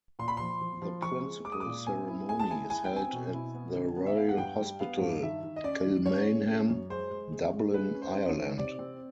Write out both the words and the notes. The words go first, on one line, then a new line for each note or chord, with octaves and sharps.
The principal ceremony is held at the Royal Hospital Kilmainham, Dublin, Ireland.
A#2 C6
B5
F3 C6
F3
F3
F3 C#6
G#3
G#3 D6
D#6
D6
A#2
C4 G#5
E4
G#3 G#5
A5
E4 G#5
E4 G#5
G5
C4 G#5
B2
E4
B3
D3
B3
E5
B3 F5
F#5
G2 G5
G3
B3 F5
G2
D#3 E5
D#3
D#5
C#4 D5
D#3
C#4 C#5
G#3
C#4
F#2
G#3 C5
G#3
G#3
G#3
G#3 B4
C#4
C5
C#4
C#5
D#3
C3 D5
C4